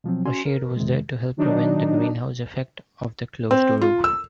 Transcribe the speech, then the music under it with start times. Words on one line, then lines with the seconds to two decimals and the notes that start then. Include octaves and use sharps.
A shade was there to help prevent the greenhouse effect of the closed roof.
0.04 B2 F3 F#3 C4
0.25 C#4 F#4 G#5 C6
0.45 A#4
0.76 F2 C3 D#3 G#3
1.37 D#3 F#3 D4 D#4
3.51 C4
3.82 F4
4.04 E6